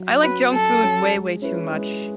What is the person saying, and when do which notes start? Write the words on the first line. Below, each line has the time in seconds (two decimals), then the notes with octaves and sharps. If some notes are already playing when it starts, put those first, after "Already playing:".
I like junk food way, way too much.
Already playing: F#3
0.23 C#4 F#4 B4
0.53 F#3 A4
0.83 C#4 F#4
1.13 G#3
1.42 C#4 E4 G#4 B4
1.72 G#3